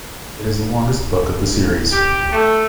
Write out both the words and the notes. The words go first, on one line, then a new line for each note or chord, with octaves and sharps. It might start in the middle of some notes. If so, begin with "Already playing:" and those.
It is the longest book of the series.
G4
A3